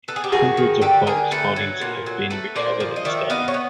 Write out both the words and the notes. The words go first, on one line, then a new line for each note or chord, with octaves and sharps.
Hundreds of bog bodies have been recovered and studied.
B3 A4
G#4
G4
D#3 F#4 G#4
D#3
D3 G4 A4
D3 G#4 A#4
A3 A4 B4
F#3
A#2
F#3
A3 A4 B4
A#2 C5 D5
F3
D#5
D#3 D5 E5
B3 D#5 F5
C#5
B3